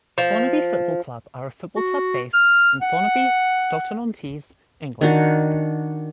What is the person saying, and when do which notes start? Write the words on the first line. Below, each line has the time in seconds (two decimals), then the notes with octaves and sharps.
Thornaby Football Club are a football club based in Thornaby, Stockton-On-Tees, England.
0.18 F3
1.76 F#4
2.34 F6
2.82 F#5
5.01 D#3 D4 F#4